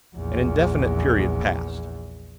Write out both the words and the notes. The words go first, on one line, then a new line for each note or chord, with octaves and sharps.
An indefinite period passed.
A#1 E2